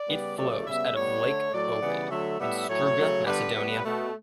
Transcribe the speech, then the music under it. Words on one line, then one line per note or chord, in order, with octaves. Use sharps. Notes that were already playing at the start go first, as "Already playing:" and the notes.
It flows out of Lake Ohrid in Struga, Macedonia.
Already playing: D5
C#3 G3 B3
C#3 F#3 A3 D5
C#3 G3 B3 E5
A2 G3 B3 C#5
D3 A3
A2 F#3 A3 D5
C#3 E3 G3 B3
D3 F#3 A3 E5
A2 G3 B3 E5
A2 F#3 A3 C#5
C#3 F#3 A3
D3 G3 B3 B4
A2 G3 B3
B2 A3